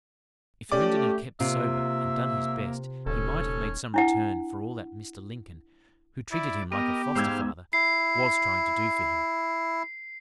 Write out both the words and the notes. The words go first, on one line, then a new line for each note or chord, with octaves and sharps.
If Herndon had kept sober and done his best he might have made some return for all that Mr. Lincoln, who treated him like a foster-father, was trying to do for him.
A3 C#4 G4 D5 D6
C3 A#3 F4 E5
D#1 C#4 A4
D4 E4 F#5
E4 D5
B3 G4 A#4 D#5
G#2 C5 F5 E6 G#6
E4 C7